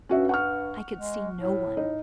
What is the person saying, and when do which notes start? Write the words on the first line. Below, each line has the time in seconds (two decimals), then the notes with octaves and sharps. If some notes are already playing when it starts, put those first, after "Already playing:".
"I could see no one."
0.09 G2 C#4 F#4 E5
0.29 F#5 C#6 F6
0.96 G#3
1.38 A2
1.77 D#4